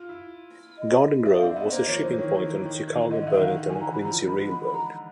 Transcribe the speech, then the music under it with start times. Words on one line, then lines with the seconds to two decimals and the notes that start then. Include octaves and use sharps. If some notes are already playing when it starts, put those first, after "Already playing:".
Garden Grove was a shipping point on the Chicago, Burlington and Quincy Railroad.
Already playing: F4
0.09 E4
0.78 D#5
1.25 D4 E5
1.37 F5
1.41 C4
1.49 E5
1.56 B3 D#5
1.72 A#3 C5
1.87 F3 C#5
2.03 E3 C5
2.18 D#3 C#5
2.34 E3
2.50 E3
2.65 D#3
2.88 E3
3.11 D3 D#5
3.27 D3 E5
3.34 D#3
3.42 F5
3.58 D#3
3.69 D3 G#5
3.81 E3 A#5
3.92 E3 B5
4.04 F3 A#5
4.28 G#3 B5
4.51 B5
4.66 B5
4.74 A#5